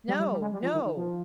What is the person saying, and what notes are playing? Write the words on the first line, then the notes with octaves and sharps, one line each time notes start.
"No, no!"
G3
G3
G3
G#3
G3
F3
D#3
D#3
F3